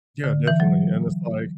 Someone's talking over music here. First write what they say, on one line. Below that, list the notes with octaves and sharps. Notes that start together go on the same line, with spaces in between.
Yeah, definitely, and it's like
D3
E3
F#3